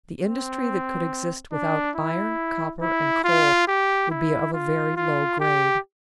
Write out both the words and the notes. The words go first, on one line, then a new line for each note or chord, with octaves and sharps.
The industry that could exist without iron, copper, and coal would be of a very low grade.
C4
D4
E4
E4
F4
G4
E4
F4
F4
G4